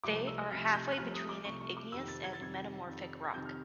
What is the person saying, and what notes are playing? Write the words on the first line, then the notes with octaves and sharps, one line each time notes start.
They are halfway between an igneous and metamorphic rock.
C2 C3 F3 A3 D6
E6
C2 C3 F3 A3 F6
G6
F#6
C2 C3 F3 A3 F6
D#6
D6
C2 C3 F3 A3 C#6
C#6
D6
F2 C3 D#3 E6
A6
G#6
A6
F2 C3 D#3 G#6
F2 C3 D#3
G#6
F2 C3 D#3 G6
F6